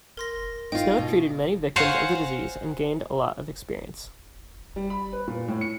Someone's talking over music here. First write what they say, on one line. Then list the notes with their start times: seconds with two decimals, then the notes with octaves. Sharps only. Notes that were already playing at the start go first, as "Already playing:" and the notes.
Snow treated many victims of the disease and gained a lot of experience.
0.17 A#4 C6 A#6
0.72 D#4 F4 G5
0.98 B2
1.76 C5 C#5 F5 F#5 G#5 A#5
4.76 G3
4.90 B5
5.13 B4
5.28 A#2
5.48 A2
5.61 C#7